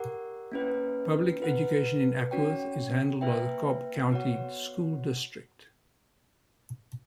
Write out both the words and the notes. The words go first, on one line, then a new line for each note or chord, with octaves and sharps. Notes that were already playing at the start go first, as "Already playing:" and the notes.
Public education in Acworth is handled by the Cobb County School District.
Already playing: G4 A#4 D5 F#5
A#3 C#4 E4 B4
E4 B4 F#5
C#4 F#4 C#5 G5
A#3 E4 B4 E5 G5
B3 F#4 C#5 F#5